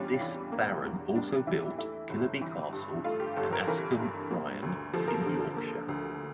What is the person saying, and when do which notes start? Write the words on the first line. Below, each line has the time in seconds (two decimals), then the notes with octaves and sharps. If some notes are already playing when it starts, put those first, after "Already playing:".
This baron also built Killerby Castle and Askham Bryan in Yorkshire.
Already playing: E2 G3 C#4 D4 F4
0.21 E3
0.52 A#3
0.84 E2
1.15 G3 D4
1.47 E3 E4
1.78 A3 E4
2.09 G1
2.42 E3
2.73 G2
3.04 A3 F4
3.20 G4
3.37 G1 A4
3.52 A#4
3.67 E3 A#4
4.00 G2
4.31 A#3
4.63 D2
4.93 F3 A4
5.08 A#4
5.21 D3 A4
5.57 A#3
5.89 D2